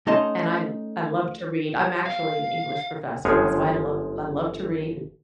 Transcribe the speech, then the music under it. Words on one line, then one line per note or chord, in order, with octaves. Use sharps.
and I I love to read. I'm actually an English professor, so I love I love to read,
A3 C#4 D#4 D#5 A5 C6
F5
G1 F#2 F3 G#3 G#4 C#5